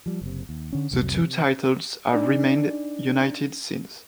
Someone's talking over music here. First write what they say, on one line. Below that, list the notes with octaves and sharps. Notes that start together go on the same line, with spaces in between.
The two titles have remained united since.
F3 G3
F#1 C3
D#2
D3 C#4
F1 C2 F2 F#3
C3
D4 D#4 D5